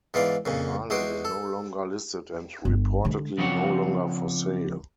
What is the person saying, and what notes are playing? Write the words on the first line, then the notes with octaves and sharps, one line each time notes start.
The Island is no longer listed and reportedly no longer for sale.
G#2 E3 B3 F4 D5 C6
F2 A#2 C#3
E2 G#3 F#4 C5 D6
A4
G1
D3 G#3
C#3 F3 C4 D4 C#5 F#5